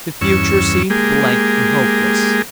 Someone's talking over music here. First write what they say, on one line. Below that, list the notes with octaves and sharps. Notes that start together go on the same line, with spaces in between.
The future seemed blank and hopeless.
E2 G2 C#4 C#6 E6
G#3 A#3 G4 G#4